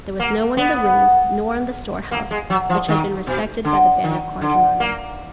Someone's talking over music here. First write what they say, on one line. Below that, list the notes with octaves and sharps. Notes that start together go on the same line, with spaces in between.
There was no one in the rooms nor in the storehouse, which had been respected by the band of quadrumana.
A#3
B3
A#3
G#3
F#3
F3
D#3
B2
D3
D#3
D3
A#3